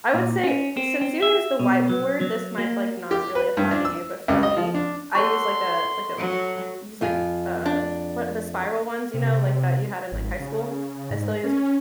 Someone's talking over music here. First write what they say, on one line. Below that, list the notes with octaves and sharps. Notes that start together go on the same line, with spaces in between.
I would say since you use the whiteboard this might like not really apply to you but for me, I use, like, a like, a I use, like, uh, what the spiral ones, you know, like, that you had in, like, high school. I still use
A#2
C#4
C4
C4
E5
B2
F#3
F#3
A#3
G4
B4
G2
D4
E6
C#2
D#5
F3
D4
F#4 A4 C#5 A5 C6 C#6
F#3
F2 F4 G#5
D4
C3
G#1
C#3
G#2
C#4